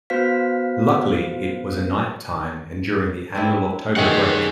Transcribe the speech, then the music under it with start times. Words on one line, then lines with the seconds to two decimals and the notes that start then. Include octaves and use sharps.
Luckily, it was a night time and during the Annual October break.
0.10 B3 F#4 B4 C5 F5 B6
3.35 C4 D4 E4
3.96 C3 D#3 C#4 G#4 F#5